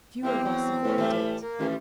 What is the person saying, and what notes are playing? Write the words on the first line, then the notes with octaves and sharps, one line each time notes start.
Few of us avoid it.
E2 E3 G3 A#3 C4
F#3
A2 F3 G#3 C#4
E3 G3 A3
A#3
A1 D#3 E3 G3